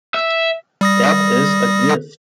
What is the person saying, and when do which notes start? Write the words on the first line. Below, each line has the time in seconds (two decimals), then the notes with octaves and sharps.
That is a gift.
0.14 E5
0.81 G3 D#6 A#6